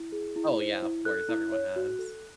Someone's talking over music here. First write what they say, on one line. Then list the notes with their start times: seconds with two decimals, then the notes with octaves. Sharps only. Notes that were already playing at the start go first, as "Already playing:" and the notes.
Oh, yeah, of course. Everyone has.
Already playing: E4
0.12 G#4
0.36 E4
0.60 C5
0.83 E4
1.05 A4 F#6
1.29 E4
1.52 C#5
1.76 F#4
1.99 A4